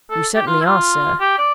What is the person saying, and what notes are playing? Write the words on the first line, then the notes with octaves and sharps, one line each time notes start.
"You certainly are, sir."
A4
G4
F4
E4
F4
G4
D5